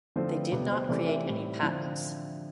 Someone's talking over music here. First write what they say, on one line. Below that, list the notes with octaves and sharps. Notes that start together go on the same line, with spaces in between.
They did not create any patents.
D3 F3 A3 C4 C5
B4
C3 G3 B3 B4
C5
C3 E3 A3 C4 D5
E5
A2 G3 C4
D3 F3 C4